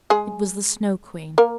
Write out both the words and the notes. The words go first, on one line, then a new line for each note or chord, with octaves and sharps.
It was the Snow Queen.
G#3 G#4
A#3 A#4